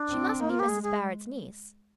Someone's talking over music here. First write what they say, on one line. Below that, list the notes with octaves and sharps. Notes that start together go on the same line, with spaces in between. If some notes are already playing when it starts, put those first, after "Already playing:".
She must be Mrs. Barrett's niece.
Already playing: D4
C4
A#3 D#4
F4
G4
G#3 G#4
G#4